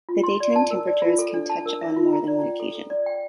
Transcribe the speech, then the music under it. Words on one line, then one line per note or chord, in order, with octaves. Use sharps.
The daytime temperatures can touch on more than one occasion.
F4
C6
D5
A5
A#4
D5
F4
A4
D4
A5
A#4
E5
F4
A#5
D5
G5
A4
A4
D5
G5